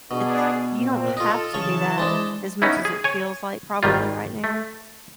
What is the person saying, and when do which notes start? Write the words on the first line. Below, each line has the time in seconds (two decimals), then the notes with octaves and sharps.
It's you don't have to do that as much as it feels like probably right now,
0.11 B2 B3 D4 G#4
0.76 A#2 C4
1.17 D#4 F4 A4
1.54 C#3 E3 C#5 A5 C#6
1.98 G#3 D4 C5
2.62 B3 C#4 D#4 E4
2.85 G#4
3.04 C#5 G#5
3.83 G#1 D#3 G3 F4
4.44 A3